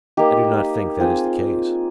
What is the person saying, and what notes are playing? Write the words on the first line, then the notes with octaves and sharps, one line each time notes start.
"I do not think that is the case."
A#3 D#4 G4
C4 F4 G#4